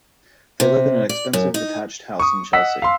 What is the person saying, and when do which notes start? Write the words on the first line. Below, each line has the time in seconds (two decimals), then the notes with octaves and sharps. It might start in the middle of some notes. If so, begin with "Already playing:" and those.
They live in an expensive detached house in Chelsea.
0.60 C3
1.09 D5
1.33 F#2
1.54 D#4
2.20 C#6 D#6
2.53 D#5 F#5 E6 B6
2.82 F5 C6